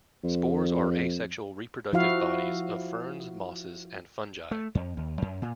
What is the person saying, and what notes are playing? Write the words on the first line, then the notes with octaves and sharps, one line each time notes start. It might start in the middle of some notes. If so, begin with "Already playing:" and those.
Spores are asexual reproductive bodies of ferns, mosses and fungi.
F2
F3 E4 F#4 F5
A3
F2
D#2
F#2
A#2